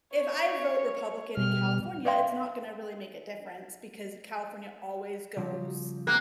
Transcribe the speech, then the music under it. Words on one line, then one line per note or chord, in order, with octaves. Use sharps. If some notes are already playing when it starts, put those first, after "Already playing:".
if I vote Republican in California, it's not gonna really make a difference because California always goes,
C#5
B2 G3 F6
B4 D5 E5 F5 G5 C6
C#3 F3 G3
A#3 B3 F#4 G4 F#6